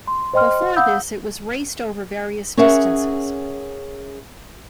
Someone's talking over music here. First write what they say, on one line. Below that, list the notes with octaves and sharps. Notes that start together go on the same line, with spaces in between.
Before this it was raced over various distances.
C6
C5 D#5 G5 C6 F6
F5 F#5 B5 D#6 E6 G6
C#4 G#4 A#4 E5 F#5